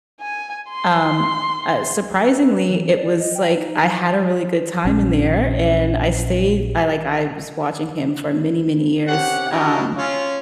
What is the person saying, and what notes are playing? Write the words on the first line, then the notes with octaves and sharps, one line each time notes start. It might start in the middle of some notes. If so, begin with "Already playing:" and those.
um, uh, surprisingly, it was, like, I had a really good time in there, and I stayed I, like I was watching him for many, many years. Um,
G#5
C6
B4
E3
D5
D#5
G5
D#4
F#3
A#1 C#4
C3 C#4 G4 F#5
D4 E4 F#4 G4 A#4 D#5
C#4 F4